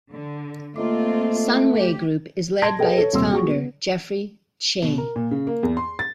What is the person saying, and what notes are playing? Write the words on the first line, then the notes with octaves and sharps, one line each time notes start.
Sunway Group is led by its founder, Jeffrey Cheah.
D3
A3 A#3 C4 F4 D#5 D6
D2 G4
A5 C6 G#6 A#6 D7
G#4 A4 B4 D#5 G5
A4 C#5
D#1 C3 C6 E6
F#4 G#4 C#6
B3
B2
A#4
A#2
C#3
A#3
E2
C6
A6